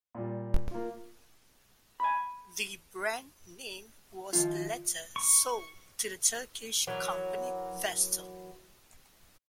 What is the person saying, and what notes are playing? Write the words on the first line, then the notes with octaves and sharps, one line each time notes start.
The brand name was later sold to the Turkish company Vestel.
A#2 G3
A#3 F4
G#5 B5
D#3 F3 F4
C#6
E3 F#3 A#4